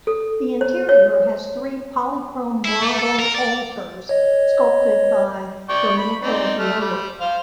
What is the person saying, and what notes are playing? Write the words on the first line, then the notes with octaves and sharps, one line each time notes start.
The interior has three polychrome marble altars sculpted by Domenico Viola.
A4
C5
C#5
E4
A3
A4
A#4
D5
C#5 D#5
D5 G5 C#6
B5
C4 D#4 D5
A3 F6
G3
C5 F5